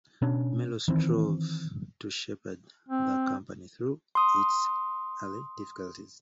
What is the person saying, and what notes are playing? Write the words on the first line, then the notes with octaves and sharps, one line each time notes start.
Merlo strove to shepherd the company through its early difficulties.
B2 C#4 D4
D#3 E3 C4
C4
C6 D#6